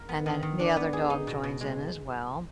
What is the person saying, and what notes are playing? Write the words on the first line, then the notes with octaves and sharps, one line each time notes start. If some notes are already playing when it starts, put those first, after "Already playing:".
and then the other dog joins in as well.
Already playing: A#4
B3
D#3
D#3
D4
B3
G#4
D#4
B2
B2
G#3